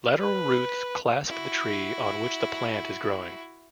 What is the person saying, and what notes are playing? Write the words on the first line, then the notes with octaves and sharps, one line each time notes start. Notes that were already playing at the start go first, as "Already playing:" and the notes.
Lateral roots clasp the tree on which the plant is growing.
B4
E4 F#4